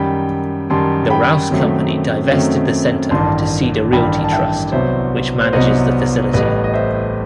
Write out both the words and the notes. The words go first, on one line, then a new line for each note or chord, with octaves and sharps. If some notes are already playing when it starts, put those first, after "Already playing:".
The Rouse company divested the center to Cedar Realty Trust which manages the facility.
Already playing: F#2 D#3 G3 G5 B5
F#2 D#3 G3 A5 C6
G5 B5
F#2 D#3 F#3 A3 C4
F#2 D#3 F#3 A3 C4
A1 G2 D#3 A5 C6
A1 G2 D#3 G5 B5
A5
E5 G5
C2 C3 F#3 B3 C5 E5
C5
C2 C3 F#3 B3 B4 D#5
A1 A2 G3 B4 D#5
D#5
C5 E5